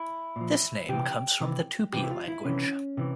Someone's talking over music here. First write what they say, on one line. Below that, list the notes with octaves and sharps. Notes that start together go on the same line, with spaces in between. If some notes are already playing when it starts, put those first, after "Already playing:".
This name comes from the Tupi language.
Already playing: E4
A#2 F3
C3 E3 G4
C3 E3
C3 E3 G4
E4
F4
E4
C3 E3 C#4
C3 E3